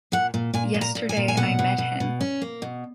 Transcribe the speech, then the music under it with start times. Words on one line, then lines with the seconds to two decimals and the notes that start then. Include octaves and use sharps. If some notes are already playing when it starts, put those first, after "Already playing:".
Yesterday I met him.
0.12 A#2 F#5
0.34 A#2
0.54 A#2 G#5
0.74 A#2
0.81 A#5
0.95 A#2
1.09 G#5
1.17 A#2
1.28 G#5
1.37 B2 F#5
1.59 B2
1.78 B2
2.00 B2
2.21 C#4
2.42 A#3
2.62 B2